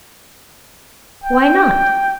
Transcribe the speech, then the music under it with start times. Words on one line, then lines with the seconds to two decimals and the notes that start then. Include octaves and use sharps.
Why not?
1.24 G5